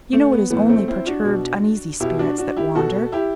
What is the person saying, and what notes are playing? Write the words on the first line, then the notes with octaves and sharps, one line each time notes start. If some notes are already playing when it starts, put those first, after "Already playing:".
You know it is only perturbed, uneasy spirits that wander.
A3
B3
A2 E3 B3
A3 C4
C4 E4
D4 F#4
B2
B2 E4 G4
D4 F#4
D4 F#4
E4 G4
B2 F#4 A4
E4 G4